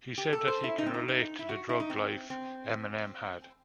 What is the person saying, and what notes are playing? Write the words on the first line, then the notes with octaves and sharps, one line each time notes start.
He said that he can relate to the drug life Eminem had.
G4
A4
C5
E4
D#4
C4
D#4
D#4
E4
F#4
E4
D#4
C4
C4